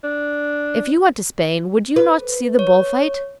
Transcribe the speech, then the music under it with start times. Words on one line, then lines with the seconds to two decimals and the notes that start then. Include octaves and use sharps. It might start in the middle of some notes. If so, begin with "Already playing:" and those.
If you went to Spain, would you not see the bull-fight?
0.04 D4
1.96 B4
2.59 C#5